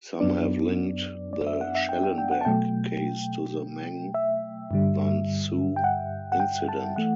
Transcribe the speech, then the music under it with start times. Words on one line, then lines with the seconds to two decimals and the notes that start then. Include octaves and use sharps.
Some have linked the Schellenberg case to the Meng Wanzhou incident.
0.20 F#2 F#3 B3 D4 D5
1.33 D5
1.47 E5
1.61 F#5
1.75 E5
1.89 G5
2.03 G5
2.18 G5
2.31 F#5
2.41 A5
2.45 B2 F#3 A3 G5
4.14 E5
4.71 G2 D3 G3
5.76 G5
5.84 F#5
6.32 F#5
6.40 G5
6.68 A5
6.96 E3 A3 F#5